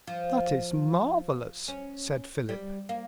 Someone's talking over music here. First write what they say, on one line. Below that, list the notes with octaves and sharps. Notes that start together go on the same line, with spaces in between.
"That is marvelous!" said Philip.
F3
C#4
G3
A#3